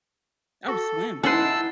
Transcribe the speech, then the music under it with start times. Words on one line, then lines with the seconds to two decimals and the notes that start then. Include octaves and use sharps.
Oh, swim.
0.68 F#4 A4
1.23 C#4 D#4 E4 B4 F#5 A5 C6 E6